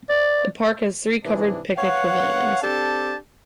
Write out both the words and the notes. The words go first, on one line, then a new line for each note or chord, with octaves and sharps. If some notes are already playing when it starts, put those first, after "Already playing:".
The park has three covered picnic pavilions.
D5
G#2 C3 E3 D4 G#4
B4 C#5 F5 F#5
C4 D4 G4 A4 A5